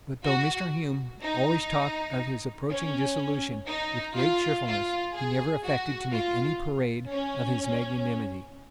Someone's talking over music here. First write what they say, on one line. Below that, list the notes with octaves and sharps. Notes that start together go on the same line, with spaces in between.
But, though Mr. Hume always talked of his approaching dissolution with great cheerfulness, he never affected to make any parade of his magnanimity.
F#4
D#4
C#4
D#4
F4
F4
G#4
F#4
F4
C#4